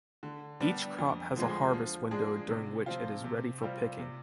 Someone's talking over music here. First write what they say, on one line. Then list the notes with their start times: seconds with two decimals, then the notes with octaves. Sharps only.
Each crop has a harvest window during which it is ready for picking.
0.23 D3
0.60 G3 B3 D4
0.99 F2
1.36 D3 F3 G#3
1.73 F3
2.11 G#3 D4 G#4
2.49 C3
2.86 F3 C4 F4
3.24 C3
3.62 G3 C4 F4
3.99 C3